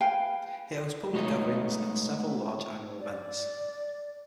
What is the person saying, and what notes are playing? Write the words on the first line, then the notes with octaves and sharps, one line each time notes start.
It hosts public gatherings, and several large annual events.
B4 F5 G5 G#5
G#3 A3 B3 D#4 C#5 D#5
D5